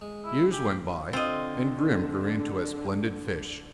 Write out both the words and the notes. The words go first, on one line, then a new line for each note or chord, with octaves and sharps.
Years went by; and Grim grew into a splendid fish.
G#3
E4
G4 G#5
A1
D3 C4 F4 D#5